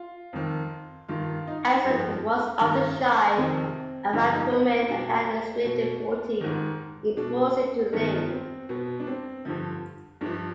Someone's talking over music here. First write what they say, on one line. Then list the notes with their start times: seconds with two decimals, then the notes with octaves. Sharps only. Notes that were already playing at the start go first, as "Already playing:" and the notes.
Andersen was often shy around women and had extreme difficulty in proposing to Lind.
Already playing: F4
0.33 F2 D#3
1.08 G2 D#3 F4
1.47 D#4
1.84 G2 F3
2.60 G2 D#3
3.36 F2 C3 D#3 C4
4.13 G2 D3 F3 D4
4.32 D#4
4.51 B3
4.70 C4
4.89 B2 D4
5.65 B2
6.41 G#2 D#3
7.17 B2 D4
7.93 G2 D#3 B3
8.31 C4
8.69 B2 B3
9.00 D4
9.07 C4
9.45 G2 D3 F3
10.21 G2 F3 D4